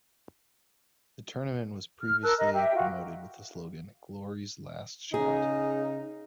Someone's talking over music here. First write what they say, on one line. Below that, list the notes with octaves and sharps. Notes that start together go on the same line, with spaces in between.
The tournament was previously promoted with the slogan "Glory's Last Shot".
F6
A#4 A5 E6 F#6
A#4 D#5
G4 E5 G5
F4 F#4
C#3 D#4 G#4